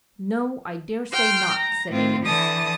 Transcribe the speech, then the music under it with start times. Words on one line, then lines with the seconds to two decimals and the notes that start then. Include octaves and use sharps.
"No; I dare say not," said Eames.
1.12 G5 C6 F6 G6
1.51 A#5
1.91 A2 C4 F4
2.25 D3 E3 E4 A5 D#6